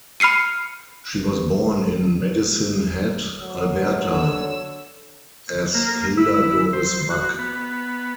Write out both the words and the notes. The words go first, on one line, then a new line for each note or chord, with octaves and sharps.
She was born in Medicine Hat, Alberta as Hilda Doris Buck.
B5 F6 C7 C#7 D#7
F#3
D3 C#5 E6
A#3
E4
C5
F#4
B3